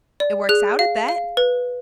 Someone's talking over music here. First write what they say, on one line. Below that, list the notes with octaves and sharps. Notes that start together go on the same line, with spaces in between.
"It works out at that."
D5
G#4 F#6
F5
F5
B4